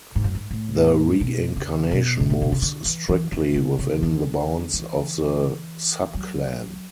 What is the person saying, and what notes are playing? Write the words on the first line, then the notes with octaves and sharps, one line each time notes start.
The reincarnation moves strictly within the bounds of the subclan.
G#2
F#2
G#2
A2
B2
C#3
B2
G#2
A2
B2
C#3
D3
E3
E3
D3
C#3
C#3
D3
E3
F#3